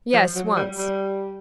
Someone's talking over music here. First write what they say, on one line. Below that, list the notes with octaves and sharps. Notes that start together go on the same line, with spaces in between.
"Yes, once."
F3
F#3
G3
G3